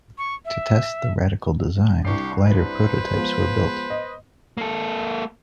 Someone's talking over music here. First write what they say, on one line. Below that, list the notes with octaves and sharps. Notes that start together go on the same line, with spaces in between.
To test the radical design, glider prototypes were built.
C#6
E5
C2 D4 G4 C#6 C7
B4 C5
F3 G#3 B3
D#5
A#3 A4